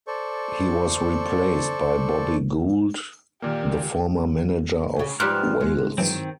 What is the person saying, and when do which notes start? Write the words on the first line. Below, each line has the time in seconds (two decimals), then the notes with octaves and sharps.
He was replaced by Bobby Gould, the former manager of Wales.
0.07 A4 C5 D5 C#6
3.42 A#2 D#3 A#3 G4 D5 F6
4.96 D2 C#3
5.20 G#2 F3 G3 B4 D6 F6 F#6
5.61 G#3
5.98 G2 D#3 E3 F#3 C4